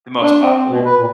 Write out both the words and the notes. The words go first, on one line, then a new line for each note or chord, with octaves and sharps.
the most popular.
D4
C4
C4
B2
B4
A#2